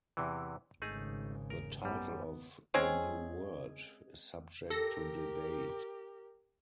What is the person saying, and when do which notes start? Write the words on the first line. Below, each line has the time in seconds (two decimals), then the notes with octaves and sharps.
The title of "The New Word" is subject to debate.
0.17 E2 C3 E3
0.82 G#1 C#3 A3 D#4 G#4
1.50 A#4
1.82 F#2 G3 B3
2.74 G#3 C4 C#4 G#4
4.70 G4 A4 A#4 A#6